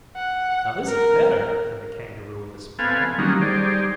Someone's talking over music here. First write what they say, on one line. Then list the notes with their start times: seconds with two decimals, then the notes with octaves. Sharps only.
"Now this is better!" said the Kangaroo, with a smile.
0.16 F#5
0.87 A#4
2.79 B3 C4 A4 F5 G#5
3.18 D#3 F#3 G3 A#3 C#4 D#4
3.41 G3 D#4 G#4 C5 D5